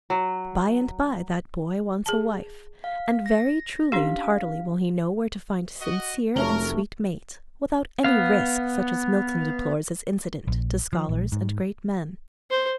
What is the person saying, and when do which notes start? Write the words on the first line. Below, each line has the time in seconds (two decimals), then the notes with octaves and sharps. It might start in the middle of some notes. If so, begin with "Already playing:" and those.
By and by that boy wants a wife, and very truly and heartily will he know where to find a sincere and sweet mate, without any risk such as Milton deplores as incident to scholars and great men.
0.10 F#3
2.06 G#4 A5
2.84 F5
3.26 A#6
3.92 C#4 D4 G4 F5
5.81 F#4 D#5
6.36 F1 F#3 A3 C#4 A#4 G7
8.04 B3 F5
10.48 A#1
10.93 F3
11.09 A#1
11.32 G#2
12.50 C5